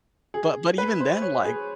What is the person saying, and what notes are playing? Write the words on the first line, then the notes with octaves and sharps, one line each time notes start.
but but even then, like
G#4
B4
C5
C#5
G#4